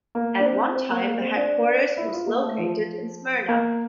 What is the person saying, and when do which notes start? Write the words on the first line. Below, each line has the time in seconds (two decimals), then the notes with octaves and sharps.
At one time the headquarters was located in Smyrna.
0.15 A#3
0.39 D4
0.45 C4
0.76 C4
0.90 A#3
1.05 A#3
1.21 C4
1.36 D4
1.97 E4
2.13 F4
2.27 A#3
2.42 A3
2.58 F3
3.48 A#3